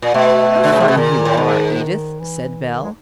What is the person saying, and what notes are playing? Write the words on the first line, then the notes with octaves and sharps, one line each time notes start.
"How funny you are, Edith," said Belle.
A#2
B2 A3
D3
C#3
C3
B2
A#2 D#3
A2
G#2 D#3
D#3
E3
D#3
G#3